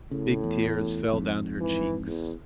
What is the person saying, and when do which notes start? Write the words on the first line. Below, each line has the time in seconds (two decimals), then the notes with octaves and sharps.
Big tears fell down her cheeks.
0.11 A2 C#3
0.44 E2
1.13 F2 G#2
1.60 E3
2.07 E2